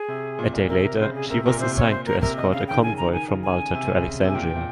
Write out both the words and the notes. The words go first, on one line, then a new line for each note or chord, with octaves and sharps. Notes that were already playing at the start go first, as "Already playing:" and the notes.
A day later, she was assigned to escort a convoy from Malta to Alexandria.
Already playing: G#4
C3
A#2
A#2
C3 A#4
G#4
A#4
C#3 C5
G#4
C3 A#4
A#2 A#4
C3 C5
A#2 C#5
C5
A#4
C3 A#4
D#5
C#3 F5
D#3 G5
C#3 G#5
A#5
D#3 G#5
C#3
G#5
C3
C3
C#3
C3
G#5
A#2 G5
A#2